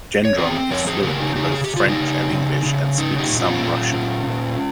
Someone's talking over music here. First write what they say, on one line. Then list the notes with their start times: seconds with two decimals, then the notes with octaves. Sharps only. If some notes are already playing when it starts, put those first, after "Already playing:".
Gendron is fluent in both French and English and speaks some Russian.
0.25 C#5
0.38 C4 G#4 C5
0.70 F3 A#4 C#5
0.87 G#4 C5
1.03 C#3 G4 A#4
1.20 D#4 G4
1.35 C#3 D#4 G4
1.52 G#4
1.64 C#3 G4
1.76 F4
1.88 D#4 G4
2.00 C#3
2.33 C#3
2.65 C#3
2.98 C#4 D#4
3.18 D#4 G4
3.30 A#2
3.40 C#4 F4
3.62 A#2
3.95 A#2
4.26 A#2